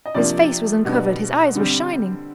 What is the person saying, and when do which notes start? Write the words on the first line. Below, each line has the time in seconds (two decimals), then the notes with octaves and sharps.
His face was uncovered, his eyes were shining.
0.06 D#5
0.15 C3 F3 A#3 D4 D5
0.85 B2 G3 B3 D4
1.55 D3 G3 C4